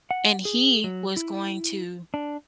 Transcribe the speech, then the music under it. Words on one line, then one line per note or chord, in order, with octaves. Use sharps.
and he was going to
F#5
G#4
F#3
E4
D4